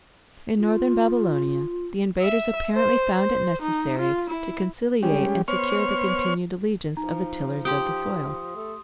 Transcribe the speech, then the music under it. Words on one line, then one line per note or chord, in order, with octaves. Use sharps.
In northern Babylonia the invaders apparently found it necessary to conciliate and secure the continued allegiance of the tillers of the soil.
F4
E5
C5
C5
D#4
F4
E4
G3 G#3 C#4 G4
B3 C5 C#5 C#6 F6
F3 D#4 A#5
G4 G5 C6 D#6
A3